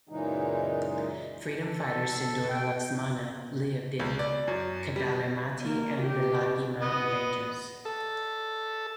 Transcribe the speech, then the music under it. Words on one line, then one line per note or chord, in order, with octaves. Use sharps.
Freedom fighter Sindhoora Laxmana lived in Kadalimatti and Bilagi mountain ranges.
F#2 A#2 C#3 E3 G#3 D#4
A4
G5
C#2
D5
F#2
G3
A#3
G4
B3 D#5
A4